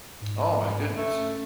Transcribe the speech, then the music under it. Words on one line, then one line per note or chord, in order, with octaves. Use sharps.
Oh my goodness.
G#2
A3 C#4